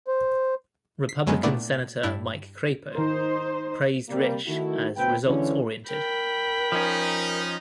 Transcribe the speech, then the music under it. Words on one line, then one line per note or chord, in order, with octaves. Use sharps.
Republican Senator Mike Crapo praised Risch as "results-oriented".
C5
B6 C7
F#2 F#3 G#3 B3 C#4
A#2 A3 B3 D4 E4
G2 D4 E4
D#3 D#4 A#4 C5
C3 G3 A#3
D#3 A3 E4 F#4
D2 B2 C4 B4 G5
D3 E3 F3 G#3 C#4
A#4 G5 B5
F3 C#4 D#4